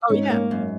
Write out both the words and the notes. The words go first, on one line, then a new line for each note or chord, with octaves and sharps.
Oh, yeah.
G#2 C#4
A#3
F#2